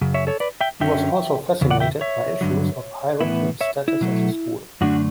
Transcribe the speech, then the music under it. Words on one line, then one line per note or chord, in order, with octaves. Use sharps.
He was also fascinated by issues of hierarchy and status at the school.
F#2 C#3
C#5 E5
A4 C#5
B4 D5
E5 G5
F#2 D3 F#3 C#4 E5 G5
E2 C#3
D5 F#5
E5 G5
C#5 E5
G2 D3 F#3
A2 E3 B3 E4
C#5 E5
E4
B2 F#3 A3
F#2 D3 A3 D4 F#4